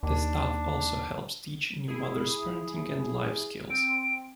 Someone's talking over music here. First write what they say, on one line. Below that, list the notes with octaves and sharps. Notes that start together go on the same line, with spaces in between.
The staff also helps teach new mothers parenting and life skills.
D#2 D4
E4 G#4
C4 D7